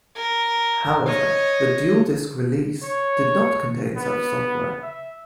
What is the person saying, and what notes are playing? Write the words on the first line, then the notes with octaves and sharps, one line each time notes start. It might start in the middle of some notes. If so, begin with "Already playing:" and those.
However, the DualDisc release does not contain such software.
A#4
C#5 D#5
C#5
B3
E5